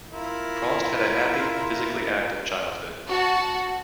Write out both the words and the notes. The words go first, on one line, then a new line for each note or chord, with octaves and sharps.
Frost had a happy, physically active childhood.
E4 F4 A#4
F#4 A5